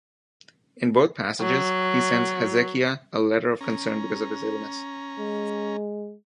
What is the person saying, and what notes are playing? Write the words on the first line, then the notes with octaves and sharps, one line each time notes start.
In both passages he sends Hezekiah a letter of concern because of his illness.
F#3
C#4 A#5
G#3